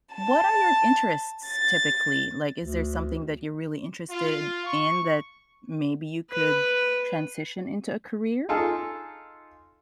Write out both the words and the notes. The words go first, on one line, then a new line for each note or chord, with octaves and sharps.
what are your interests typically? Like, is there something that you're really interested in that maybe you could transition into a career?
A5
A6
D2
F4
C#6
B4
D#4 F4 G#4 A4